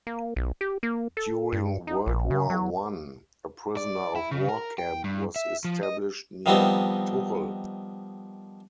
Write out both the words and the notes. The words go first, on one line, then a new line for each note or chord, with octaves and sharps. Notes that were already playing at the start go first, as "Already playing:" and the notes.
During World War One, a prisoner-of-war camp was established near Tuchel.
A#3
B1
G4
A#3
A4
G2
D#4
A#1
C#3
F#3
D5
E4
C#3
A#4
G5
G2
E5
F3
D#5
D#3 F3 G3 B3 C4 D#4